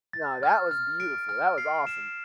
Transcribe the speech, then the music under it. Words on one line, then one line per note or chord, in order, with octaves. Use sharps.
No, that was beautiful, that was awesome.
A6
F6
F6
D7
F6
C7
E7